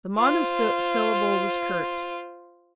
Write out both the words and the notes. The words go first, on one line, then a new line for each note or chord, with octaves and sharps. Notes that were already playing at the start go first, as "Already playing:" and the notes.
The monosyllable was curt.
F4 C5